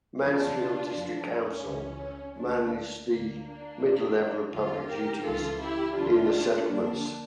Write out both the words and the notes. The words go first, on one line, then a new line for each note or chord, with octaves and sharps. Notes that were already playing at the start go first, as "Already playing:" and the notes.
Mansfield District Council manage the middle level of public duties in the settlements.
E2 C#3 E3 D4 F4
F2 E3
C#4
C#2 C#3 E3
D2 D3 A#3 D4
D2 D3 A#3
A#3 D4
E2 E3
E2 D3 F4 A4
G4 A#4
C#2 C#3 E3 F4 A4
E4 G4
C#2 C#3 E3 D4 F4
F2 D3 A#3 D4